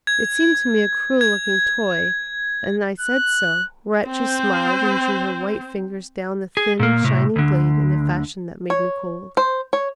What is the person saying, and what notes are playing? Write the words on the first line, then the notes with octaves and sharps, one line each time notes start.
It seemed to me a cruel-looking toy and I said so--whereat she smiled and drew her white fingers down the thin, shining blade in a fashion that made me cold.
G#6
G#6
F#6
C4 C5
G#4
A#2 A#3
A2 C3
D2 D3
C#5
C5
C#5